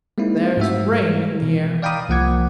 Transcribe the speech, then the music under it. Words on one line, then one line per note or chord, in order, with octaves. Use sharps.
"There's rain in the air."
G#3 A#3 C4 D#4 E4
G#2 A3 F#4 E5
G3 G#3
B2 E3
D5 F5 G5 A#5 B5 D#6
C2 F3 A#3 F#5 D6 G#6